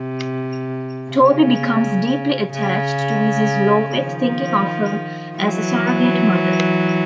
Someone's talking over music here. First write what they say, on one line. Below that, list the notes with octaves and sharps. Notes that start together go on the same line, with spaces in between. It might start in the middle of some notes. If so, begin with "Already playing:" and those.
Toby becomes deeply attached to Mrs. Lovett, thinking of her as a surrogate mother.
Already playing: C3
C#3
C#3
D#3 F3
E3 F#3